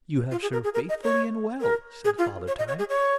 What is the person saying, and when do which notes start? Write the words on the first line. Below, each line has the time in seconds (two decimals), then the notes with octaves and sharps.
"You have served faithfully and well," said Father Time.
0.31 F4
0.42 G#4
0.53 A#4
0.64 G#4
0.74 A#4
0.89 D#5
1.04 C#5
1.61 A#4
2.05 G#4
2.18 F4
2.48 C#5
2.58 D#5
2.68 C#5
2.79 G#4
2.90 C#5